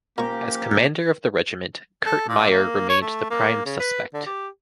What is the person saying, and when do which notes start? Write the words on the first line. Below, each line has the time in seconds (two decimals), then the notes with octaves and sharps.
As commander of the regiment, Kurt Meyer remained the prime suspect.
0.18 A#2 F3 A#3 C#4 G4 A#5 C#6
2.07 A4
2.29 A#2
2.51 A#3
2.89 C#5
3.02 A3
3.30 A#3
3.66 C#3
3.80 B4
4.14 D3
4.26 G4